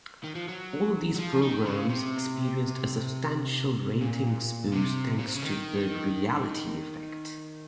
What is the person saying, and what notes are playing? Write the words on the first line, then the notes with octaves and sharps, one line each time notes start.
All of these programmes experienced a substantial ratings boost thanks to the "Reality Effect".
D#3
F3
F#3
F#3
F3
D#3
C#3
C3
A#2
C3
A#2
C3
C#3
D#3